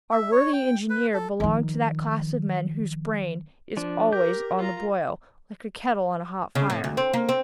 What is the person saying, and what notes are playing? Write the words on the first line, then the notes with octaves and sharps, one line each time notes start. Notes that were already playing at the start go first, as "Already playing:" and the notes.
Our worthy engineer belonged to that class of men whose brain is always on the boil, like a kettle on a hot fire.
E5
C#5
G5
B4
A4
D#3 F3
F3 D4
G4 A#4 D6 G6
F4 A#5
C#3
A2
D2
C4
A#3
C4